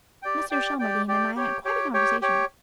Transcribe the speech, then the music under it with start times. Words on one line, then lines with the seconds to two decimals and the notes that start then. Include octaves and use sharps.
Mr. Shelmardine and I had quite a conversation.
0.22 G4 D5 G5
0.50 G4 D5 G5
0.79 G4 D5 G5
1.08 G4 D5 G5
1.36 G4 C#5 G5
1.65 G4 C#5 G5
1.93 G4 C#5 G5
2.22 G4 C#5 G5